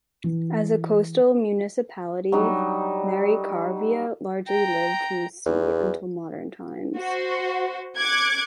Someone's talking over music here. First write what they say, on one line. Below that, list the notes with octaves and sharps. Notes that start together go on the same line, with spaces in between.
As a coastal municipality, Merikarvia largely lived from the sea until modern times.
E3
F#3 G3 D4 D#4
G5 A#5
E2
F#4 C5
D6 F#6 G#6 C#7